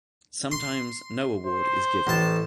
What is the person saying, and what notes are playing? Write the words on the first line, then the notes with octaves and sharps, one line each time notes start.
Sometimes, no award is given.
C6
C5
A1 A5